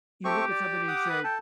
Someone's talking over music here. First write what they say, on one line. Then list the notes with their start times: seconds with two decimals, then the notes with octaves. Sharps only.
you look at somebody and say,
0.25 A3 C4 G4 C#6
0.51 D5
0.88 F#5 D6 D#6
1.10 B4
1.24 A4 G5 A5